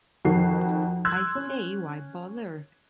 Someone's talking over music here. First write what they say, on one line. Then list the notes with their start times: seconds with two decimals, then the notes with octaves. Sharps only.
I say, why bother?
0.25 F2 D#3 F#4 C7
1.05 C6 E6 F#6 G#6
1.35 C#4